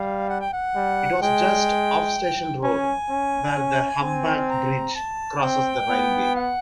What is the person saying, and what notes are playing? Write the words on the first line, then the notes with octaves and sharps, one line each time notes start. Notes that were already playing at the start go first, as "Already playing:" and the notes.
It was just off Station Road where the humpback bridge crosses the railway.
Already playing: G3 F5
F#5
G5
F#5
G3
G#3 G5
C#4 G#5
C#4
C#4
C4
A#5
A5
C4 G5
B3
F#5